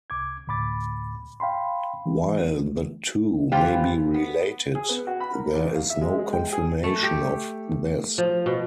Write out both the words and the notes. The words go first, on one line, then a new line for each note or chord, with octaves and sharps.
While the two may be related, there is no confirmation of this.
C2 D6 G#6
D2 A2 B5 D6 A6
F5 G5 B5 C6
E3
E3 F4 G4 C5
B3
G#4
B3
F#4
B5
A#4
E2
F5
E5
G#3
G#3
G5
G#4
A3
G4
F3
B2